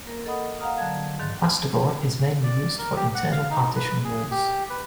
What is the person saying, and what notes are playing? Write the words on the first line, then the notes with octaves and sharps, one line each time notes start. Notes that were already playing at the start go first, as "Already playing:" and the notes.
Plasterboard is mainly used for internal partition walls.
A#3 A#4
A4 D#5 F#5 B5 D#6
F5 F#5 A#5 D#6 F6
D3 F#3 A5 G#6
G#2 D#3 F#6 A6
D5
A#4
G4
F#5
F5
D#4
B4
G#4
G4
B4